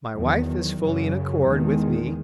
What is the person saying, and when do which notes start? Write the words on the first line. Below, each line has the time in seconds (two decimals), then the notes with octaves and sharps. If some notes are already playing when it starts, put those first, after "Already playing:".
My wife is fully in accord with me.
0.17 E2 D#3 F#3
0.82 F#2 C#3 F#3
1.47 E2 D#3 G#3